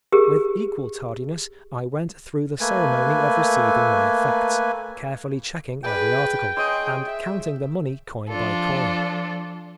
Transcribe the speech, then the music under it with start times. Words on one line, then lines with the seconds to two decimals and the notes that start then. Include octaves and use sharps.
With equal tardiness I went through the ceremony of receiving my effects, carefully checking every article, and counting the money coin by coin.
0.12 G4 G#4 A#4
2.61 A3 A#3 B4 G#5
5.84 G#4 B4 D5 G5
6.57 G#4 C#5 D#5 C6 E6
7.06 E5
8.29 F3 D4 F4 A4